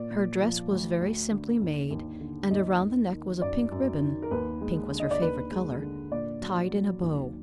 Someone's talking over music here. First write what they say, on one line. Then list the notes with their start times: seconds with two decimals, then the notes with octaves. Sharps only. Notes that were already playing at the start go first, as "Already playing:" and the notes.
Her dress was very simply made, and around the neck was a pink ribbon--pink was her favourite colour--tied in a bow.
Already playing: A#2 D5
0.10 A#2
0.41 F3
0.71 D2
1.01 D2
1.31 D3
1.61 D#2
1.91 D#2
2.21 D3
2.51 D#2 D#5
2.81 D#2
3.11 D#3
3.42 F#2 D5
3.72 F#2
4.02 D#3
4.22 A#4
4.31 D#2 B4
4.61 G#3
4.91 D3
5.00 D#5
5.11 D5
5.22 D#2 B4
5.51 G#3
5.82 D3
6.11 A#2 D5
6.41 F#3
6.71 F#3
7.02 D#2